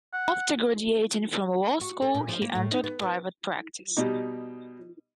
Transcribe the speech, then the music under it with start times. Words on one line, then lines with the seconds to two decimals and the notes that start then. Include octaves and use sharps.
After graduating from law school, he entered private practice.
0.13 F#5
1.81 F#4
2.02 A4
2.14 A#2
2.29 F3
2.42 A#3
2.55 A2
2.71 D#4
2.84 B3
3.02 B3
3.97 B2 G3 D#4